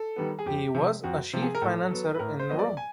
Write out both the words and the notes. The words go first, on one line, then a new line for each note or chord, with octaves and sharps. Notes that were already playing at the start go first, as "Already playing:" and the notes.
He was a chief financier in Rome.
Already playing: A4
D#3 G3 B3
G#4
F2 G4
C3 F3
F2 F#4
C3 F3
G#4
A#4
A2 A4
F#3 B3
B4
A2 A#4
C5
F#3 B3 D#5
D5
G#5